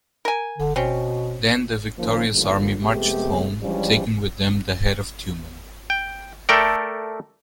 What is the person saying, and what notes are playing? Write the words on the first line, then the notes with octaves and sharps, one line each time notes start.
Then the victorious army marched home taking with them the head of Teumman.
A#4 G#5
D3
B2 C4 C#4
D#3 F3 A#3 C#4 F4
D2 D3 D#3 F3 G3 A#3
F2 C3 G#3 A3 B3 G4
E3 F3 G3 G#3 C#4 D4
G5
A3 A4 A#4 D5 E5 G5